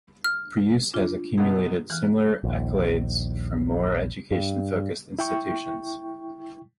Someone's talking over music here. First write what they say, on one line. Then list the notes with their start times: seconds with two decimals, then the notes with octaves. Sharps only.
Preuss has accumulated similar accolades from more education-focused institutions.
0.24 F6
0.94 D4 F4
1.38 F#2 B2 G#4
1.90 E3 F6 F#6
2.44 A#1 D#2
4.31 G2
5.19 E4 G5 C#6